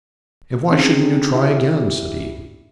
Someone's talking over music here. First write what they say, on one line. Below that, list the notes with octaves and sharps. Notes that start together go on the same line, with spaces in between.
"And why shouldn't you try again?" said Eames.
C4 C#4 D#4 F4 G#4
D4 E4 G4 E5